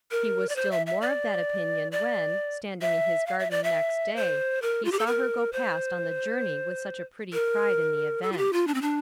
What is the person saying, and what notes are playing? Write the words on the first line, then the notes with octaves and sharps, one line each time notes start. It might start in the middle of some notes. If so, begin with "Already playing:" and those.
He was still more of that opinion when, standing in his garden next day, he saw her go past on the journey with such a pretty pride in the event.
A#4
D5
C5
E5
E5
D5
D5
E5
F5
E5
D5
E5
C5
A#4
F4
G4
A4
A#4
C5
A#4
A4
F4
G4
F4
D4
C4
D4